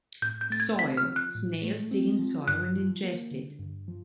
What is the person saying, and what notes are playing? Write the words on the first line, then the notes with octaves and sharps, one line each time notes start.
Soil: Snails dig in soil and ingest it.
A2 G6
G6
A3 A6
G#6
C4 B6
F6
F3
F#6
A2
A3
C4
F3
G2 F#6
F3
A#3
D3
G2
F3